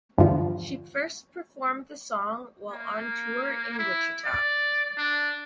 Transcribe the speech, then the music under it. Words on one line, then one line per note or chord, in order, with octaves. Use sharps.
She first performed the song while on tour in Wichita.
E2 G2 D3 F3
A#3
E4
D5
D4